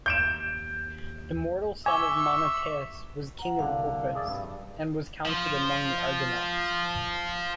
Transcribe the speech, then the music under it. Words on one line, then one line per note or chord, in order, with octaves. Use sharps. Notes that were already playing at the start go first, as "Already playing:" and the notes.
The mortal son Menoetius was king of Opus, and was counted among the Argonauts.
D#2 G6 D7 E7
E5 G#5 C#6 D6 E6 G7
F#5 A#5
C2 D3 F5
G#4 D5 E5
G2
F3 F4